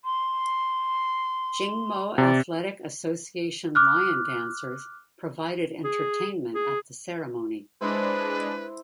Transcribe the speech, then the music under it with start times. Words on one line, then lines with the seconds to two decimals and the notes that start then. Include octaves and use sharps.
Jing Mo Athletic Association lion dancers provided entertainment at the ceremony.
0.04 C6
2.18 C3 D5
3.75 D6 F6 F#6
5.84 G#4
6.55 G#4
7.81 G#3 D4 E4 B4 C5